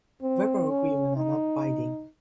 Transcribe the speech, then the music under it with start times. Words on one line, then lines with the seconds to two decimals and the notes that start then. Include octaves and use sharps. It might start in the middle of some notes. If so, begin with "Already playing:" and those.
Verbal agreements are not binding.
0.22 C4
0.69 C#4
1.16 D#4